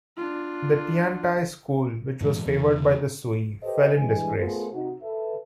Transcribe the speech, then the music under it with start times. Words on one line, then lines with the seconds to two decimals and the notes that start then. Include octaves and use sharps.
The Tiantai school, which was favoured by the Sui, fell in disgrace.
0.17 D4 F4
2.21 G2 A#2 E3 G#3
2.46 E2 C3 E3
3.63 G4 A4 B4 C5 D#5
3.97 G2 E3 G#3 G#5
4.37 A3 B3 F4 G#4 A#4 C5
4.72 C3 D#4 F#4
5.02 A4 B4 E5